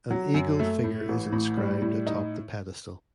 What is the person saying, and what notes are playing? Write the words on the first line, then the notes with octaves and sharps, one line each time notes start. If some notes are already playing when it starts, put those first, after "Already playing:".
An eagle figure is inscribed atop the pedestal.
F#3
F#2
A3
A2
A1
A2
G3
A2
D#4